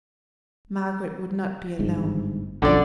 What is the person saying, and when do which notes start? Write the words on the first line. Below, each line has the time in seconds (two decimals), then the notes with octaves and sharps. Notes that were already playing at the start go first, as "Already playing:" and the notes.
Margaret would not be alone.
1.79 G1 G#2
2.62 B1 F#2 D3 F3 D5